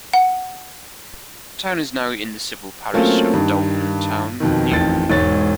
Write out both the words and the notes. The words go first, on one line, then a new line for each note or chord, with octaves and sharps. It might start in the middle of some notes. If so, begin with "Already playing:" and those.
The town is now in the civil parish of Dalton Town with Newton.
F#5
F#3 A3 A#3 C4 C#4 F4
G2 D#3
F2 B2 D#3
A1 F2 D#3 A6
E1 G#2 C#5 A6